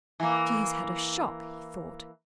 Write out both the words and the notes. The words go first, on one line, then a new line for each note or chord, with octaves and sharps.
"She has had a shock," he thought.
E3 A#3